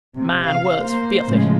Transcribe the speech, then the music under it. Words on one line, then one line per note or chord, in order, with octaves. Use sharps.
Mine was filthy.
C3
F5
A#3 C5
A2 C#3 F3 G#3